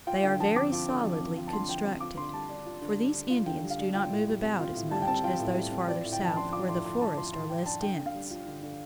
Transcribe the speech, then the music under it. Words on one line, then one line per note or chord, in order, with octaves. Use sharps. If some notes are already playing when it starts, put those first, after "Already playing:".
They are very solidly constructed, for these Indians do not move about as much as those farther south where the forests are less dense.
F4 G5
D3 G5
F3 A5
C4 D6
F4
D3
F3
C4
F4
A5
D3 C6
F3 G5
C4
F4 D6
D3 C6
G3 A5
D4
F4
D3
G3
D4
F4
D3 G5
G3
F5
D4
F4 G5
A2
G3
C4
F4
A2
G3 A5
G5
C4 A5
F4 G5
A2
G3
C4
F4 D5
A2
G5
F3 A5
D4 C6
F4 D6
A2 C6
F3 C6
D4 A5
F4 C6
A2 C6
F3 G5
D4 A5
D3 G5
D3
F5
G3
F4
D3
D3